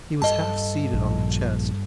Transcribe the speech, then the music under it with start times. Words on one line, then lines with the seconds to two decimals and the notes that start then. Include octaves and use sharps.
He was half seated on the chest.
0.22 G2 A4 D#5 A5
0.94 A#1